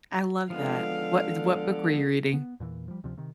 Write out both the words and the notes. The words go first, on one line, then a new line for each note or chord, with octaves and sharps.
I love that. What is what book were you reading?
D3 F3 G#3 B3 F5
B3
E2 A#2 E3
F3 G3
D2 C3 F3
C3 D#3